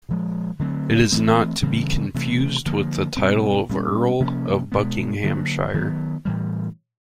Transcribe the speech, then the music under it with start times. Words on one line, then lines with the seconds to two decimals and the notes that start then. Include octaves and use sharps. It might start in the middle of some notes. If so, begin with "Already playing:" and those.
It is not to be confused with the title of Earl of Buckinghamshire.
0.09 A#2 F3 G#3
0.59 D3 F#3 A3 C4
1.12 E3 A3 C4
1.63 C#3 E3 G3 C4
2.14 C3 E3 A3
2.66 D3 F3 A#3
3.17 B2 G3 C4
3.69 A#2 G3 A#3 C#4
4.20 C3 F3 A#3 C#4
4.72 B2 G#3 B3
5.23 D3 F#3 A#3
5.74 D#3 F#3 B3
6.25 A2 E3 G3